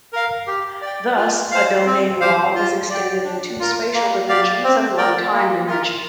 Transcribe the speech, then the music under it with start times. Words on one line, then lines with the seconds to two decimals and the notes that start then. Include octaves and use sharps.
Thus a domain wall is extended in two spatial dimensions and one time dimension.
0.13 A#4 F5
0.47 G4
0.82 D5 G5
1.16 F4
1.51 C5 F5
1.86 C4
2.21 G4 C5 F5
2.55 F4
2.90 D5 G5
3.24 D4
3.59 F4 A#4
3.94 A#3
4.28 G4 D5 F5
4.64 C4
4.98 A#4 D5 G5
5.33 A#3
5.67 F4 A#4